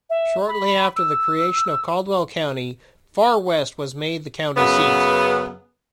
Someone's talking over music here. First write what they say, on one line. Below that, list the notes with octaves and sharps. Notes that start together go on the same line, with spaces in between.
Shortly after the creation of Caldwell County, Far West was made the county seat.
E5
B5
E6
F#2 C#3 B3